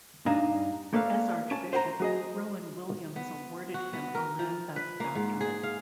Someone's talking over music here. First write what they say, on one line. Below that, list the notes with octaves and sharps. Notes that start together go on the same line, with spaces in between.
As archbishop, Rowan Williams awarded him a Lambeth doctorate.
G2 D4 D#4 F5 G#5 A#5
A3 A#3 A4 B4 D5 F5
C#4 A5
C5 F#5 G5 A#5
F#3 G#4 D#5
B3
F#4
B3
A#4
F3
B4
A#3
G#2
G#4
F5